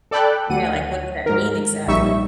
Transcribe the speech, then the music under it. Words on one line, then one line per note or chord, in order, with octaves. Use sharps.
Yeah, like what does that mean exactly?
A4 D5 G5 B5 F#6
D2 F#5 D#7
G#2 A#4
A#1 G3 D#4 E5 C#6